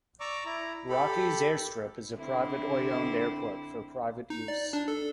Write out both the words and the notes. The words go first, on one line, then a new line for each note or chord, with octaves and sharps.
Rockey's Air Strip is a privately owned airport for private use.
D5 A#5 C#6 D6 E6
E4 A#5
G4 A4 B5
D3 C4 E4
D#4
D5
D4
A4